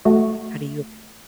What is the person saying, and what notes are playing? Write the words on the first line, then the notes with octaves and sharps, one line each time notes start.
how do you
A3 F#4